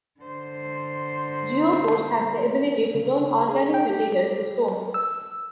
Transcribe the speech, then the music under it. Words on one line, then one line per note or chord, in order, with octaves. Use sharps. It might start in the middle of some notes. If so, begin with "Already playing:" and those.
Geo-force has the ability to turn organic material to stone.
D3 C5
C#3
G#4
G5
G4
E6